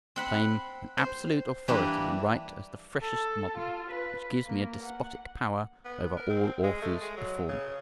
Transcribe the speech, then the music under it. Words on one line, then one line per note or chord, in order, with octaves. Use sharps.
I claim an absolute authority in right as the freshest modern, which gives me a despotic power over all authors before me.
C4 F#5 B5
C5
E3 G3 A#3 D4
A4
F4
B4
A#3
F#5
B3
A#4
C4
G#3
A3
G#3
F#3
C#3